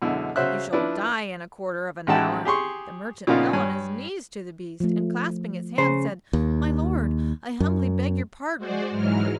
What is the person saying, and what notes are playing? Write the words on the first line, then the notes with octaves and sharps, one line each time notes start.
You shall die in a quarter of an hour." The merchant fell on his knees to the beast, and clasping his hands, said, "My lord, I humbly beg your pardon.
F#2 B2 D3 G#3 E4
C#3 F#3 F#4 C5 E5 F#6
F3 D4 E4 B4 D5
A1 G#3 D#4 F#5 G5 A5
G4 G#4 C6 C#6
A#2 C#3 F3 B3 D#4 F4
G2 C#5 G#5
F3 A3
C#3 C5
D#2
F#2
G#3 F#4 C5 D5
G#2 E3 F#3 G#3 F6